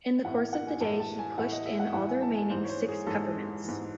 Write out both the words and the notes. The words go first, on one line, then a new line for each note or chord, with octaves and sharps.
In the course of the day he pushed in all the remaining six peppermints.
A2 E3 F#5
F#5
F#5
G#5
A2 E3 A5
A5
G#5
A2 E3 F#5
D#5
E5
F#5
A2 E3 F#5
G#5
A5
G#5
G#2 E3 C5
C#5
C5
G#4
G#2 E3 A4
G#2 E3